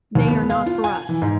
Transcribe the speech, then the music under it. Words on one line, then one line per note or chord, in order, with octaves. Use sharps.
They are not for us.
D#2
B3
F5
F4
G#5
E3
G#2